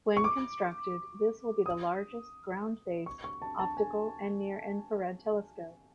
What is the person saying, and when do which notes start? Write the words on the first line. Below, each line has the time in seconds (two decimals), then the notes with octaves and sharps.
When constructed this will be the largest ground-based optical and near-infrared telescope.
0.17 C#6
0.24 D6
1.66 D#6
3.06 C#6
3.24 C#6
3.42 A5
3.59 A5
3.77 G#5